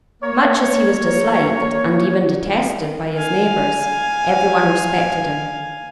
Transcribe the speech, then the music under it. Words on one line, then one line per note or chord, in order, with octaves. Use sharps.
Much as he was disliked, and even detested, by his neighbors, everyone respected him.
A#3 C#5
F5 G#5